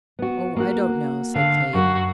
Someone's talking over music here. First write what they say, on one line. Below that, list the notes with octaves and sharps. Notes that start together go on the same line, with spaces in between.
"Oh, I don't know," said Kate.
B3 F#4
A#3 F#4
D3 F5
F#2 F#4